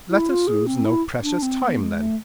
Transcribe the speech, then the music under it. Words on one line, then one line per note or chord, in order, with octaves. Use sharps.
Let us lose no precious time, then.
E4
F4
G#4
C4
E4
D4
C4
B3
G#3
A3